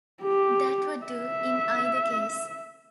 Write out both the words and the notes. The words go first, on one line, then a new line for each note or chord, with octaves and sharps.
That would do in either case.
G4
E5